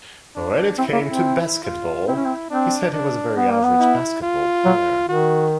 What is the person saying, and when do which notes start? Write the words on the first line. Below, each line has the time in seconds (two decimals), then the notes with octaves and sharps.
When it came to basketball, he said he was a very average basketball player.
0.35 D4
0.78 C4 E4
0.92 A#3
1.07 C4
1.64 F4
2.07 C4 E4
2.16 C#4
2.25 C4
2.50 C4 D4
2.93 D4
3.36 B3
3.50 A#3
3.63 B3
3.79 E4
4.22 F4
4.65 F#3
5.08 D#3 F#4